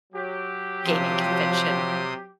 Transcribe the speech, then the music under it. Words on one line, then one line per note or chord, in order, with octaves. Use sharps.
gaming convention,
F#3 G4
C3 F3 C6 D#6